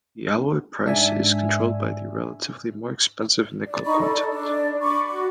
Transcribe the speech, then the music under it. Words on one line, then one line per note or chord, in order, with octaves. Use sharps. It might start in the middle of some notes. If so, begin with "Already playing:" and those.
The alloy price is controlled by the relatively more-expensive nickel content.
G#2 D4 E5 G#5
D5
D#4 B5 C#6
A4 D5
D4 D5
B5 C#6 D6
F#4